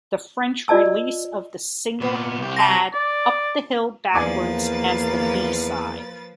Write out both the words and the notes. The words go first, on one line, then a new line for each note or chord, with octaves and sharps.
The French release of the single had "Up the Hill Backwards" as the B-side.
F4 D5 D#5 A5 E6
A#2 B3
C2 G4
A5 A#6
D5
E2 F3 A#3 B4 D5 G#5 D6 A6